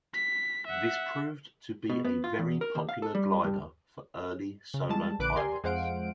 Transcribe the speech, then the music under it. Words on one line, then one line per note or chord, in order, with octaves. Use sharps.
This proved to be a very popular glider for early solo pilots.
B6
E5 F#5
B2
B3
F4
E2
A#4
D#2
F5
A4
G3
G2
C#3
G3 G#3 A5
A#1 D3 B4 D6 F#6 D7
G4 A#4 D5 G#5 C6
F2 G#3 C5 F5 F#5 D7